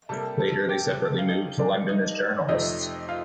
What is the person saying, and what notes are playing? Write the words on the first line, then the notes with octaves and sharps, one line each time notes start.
Later they separately moved to London as journalists.
C3 G3 A#3 A4 A5
A4 A5
G4 G5
F5
D#4 D#5
D4 D5
D#4 D#5
F2 C3 F3 A3 D#4 D#5
F4 F5